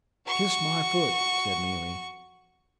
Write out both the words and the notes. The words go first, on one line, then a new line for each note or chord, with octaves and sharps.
"Kiss my foot!" said Mealy.
F#4 C#6